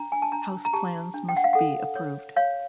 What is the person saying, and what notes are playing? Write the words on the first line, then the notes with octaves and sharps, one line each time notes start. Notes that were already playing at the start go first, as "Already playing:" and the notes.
House plans must be approved.
Already playing: D4 A#5
G#5
A5
D4 A#5
A#5
G4 A5
D4
G5
F#5
F5
A4 F#5
C#5
C#5 F5